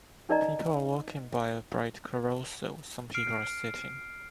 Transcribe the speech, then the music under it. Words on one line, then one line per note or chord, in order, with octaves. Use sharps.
People are walking by a bright carousel some people are sitting.
C#4 D#4 A#4 D5 D#5 A#5
F6 C7 D7